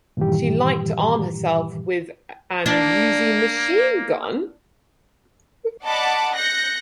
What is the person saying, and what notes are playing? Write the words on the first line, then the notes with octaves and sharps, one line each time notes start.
She liked to arm herself with an Uzi machine-gun.
G2 A#2 D#3 E3 G3 G4
A#3 D4
D5 D#5 F#5 A5 B5 D6
F#6 G6 A#6 C#7